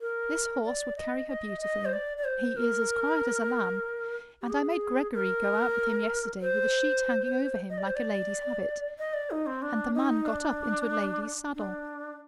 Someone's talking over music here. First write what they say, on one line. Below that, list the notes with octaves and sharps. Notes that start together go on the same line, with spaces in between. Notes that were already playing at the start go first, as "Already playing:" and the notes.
"This horse would carry her beautifully: he is as quiet as a lamb, and I made Gregory go out with him yesterday with a sheet hanging over him like a lady's habit, and the man got up into a lady's saddle."
A#4
D5
D#5
D#5
D#5
C5
D5
D5
C5
A#4
G4
G#4
A#4
C5
D#5
D5
C5
D5
D#5
D5
D#4
C4
D4
D#4
D4
D4